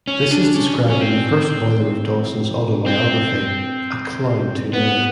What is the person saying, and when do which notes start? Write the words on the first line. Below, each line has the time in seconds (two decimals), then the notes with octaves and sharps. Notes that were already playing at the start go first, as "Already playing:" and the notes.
This is described in the first volume of Dawson's autobiography "A Clown Too Many".
0.08 C#4
0.31 D4
0.54 C#4
0.90 C#4
1.01 C4
2.86 C4
4.73 B3